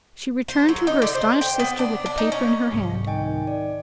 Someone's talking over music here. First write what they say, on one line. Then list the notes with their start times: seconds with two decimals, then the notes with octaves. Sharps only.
She returned to her astonished sister with the paper in her hand.
0.48 C5
0.69 F#3
0.87 D#4
1.02 D3
1.15 C5
1.41 G5
1.60 B3
1.79 D4
2.06 D4
2.18 D#4
2.32 C#4
2.72 C2 G#2
3.07 D#3 D#5 G5 G#5
3.47 D5